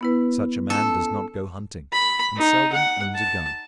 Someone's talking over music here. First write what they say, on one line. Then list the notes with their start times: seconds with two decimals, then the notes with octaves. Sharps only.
Such a man does not go hunting and seldom owns a gun.
0.01 B3 E4 B4
0.70 C#4 A4
1.92 B5
2.37 D#4
2.73 F#5
3.15 A5